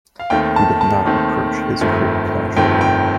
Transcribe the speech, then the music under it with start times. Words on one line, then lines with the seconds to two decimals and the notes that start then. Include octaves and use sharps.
He did not approach his career casually.
0.19 F5
0.30 D#2 D#3 A3 C4 G5
0.56 A5
0.81 A5
1.06 D#2 D#3 A3 C4
1.81 G1 F2 D#3 A3 C4
2.56 G1 F2 D#3 A3 C4 G5
2.81 G5